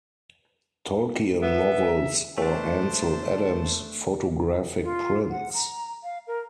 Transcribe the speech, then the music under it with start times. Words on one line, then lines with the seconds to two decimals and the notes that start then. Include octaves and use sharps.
Tolkien novels, or Ansel Adams photographic prints.
1.42 B3 E5
2.38 A3 D4 C5 A5
4.84 F4
5.30 F#5
5.54 A#5
6.03 F5
6.27 A#4